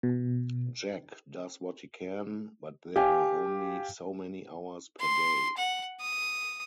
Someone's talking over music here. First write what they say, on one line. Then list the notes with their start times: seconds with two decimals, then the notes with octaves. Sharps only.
Jack does what he can, but there are only so many hours per day.
0.03 B2
2.96 G4 F5 G#5
5.00 C6
5.57 F#5
6.01 D#6